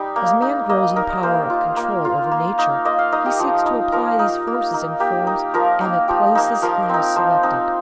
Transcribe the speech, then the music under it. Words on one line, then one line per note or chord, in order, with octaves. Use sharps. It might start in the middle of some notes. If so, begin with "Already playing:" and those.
As man grows in power of control over nature, he seeks to apply these forces in forms and at places he has selected.
Already playing: G3 D#4 G4
A#3
D#4
A#3 D#5
D#4 A#4
A#3 C5
F4
A#3
F4
A#3
D#4
A#3 D#5
F5
D#4 D#5
G4
F3
D#4
F3 A#4
D#4
A#3
D#4
A#3 G4
D#4
F3 A#4
A#3 D#4
F3 G4
A#3 D#4
F3 A#4
C4 D#4
F3 C5
C4 D#4